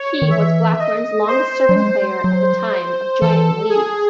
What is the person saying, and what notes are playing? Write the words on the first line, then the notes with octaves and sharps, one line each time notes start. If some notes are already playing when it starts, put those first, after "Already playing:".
He was Blackburn's longest serving player at the time of joining Leeds.
Already playing: C#5
D#3
E3 E5
D#5
C5
F#3
G#3 C5
F#3
E3 A4
G#4